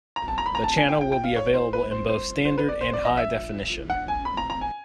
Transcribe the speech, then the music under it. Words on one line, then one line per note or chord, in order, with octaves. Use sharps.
The channel will be available in both standard and high definition.
A#5
A5
A#5
B5
A#5
A5
G#5
G5
G5
G5
F5
C#5
C5
B4
C5
C5
C5
B4
D5
C5
D5
D#5
E5
F#5
G#5
B5
A#5
A#5
G#5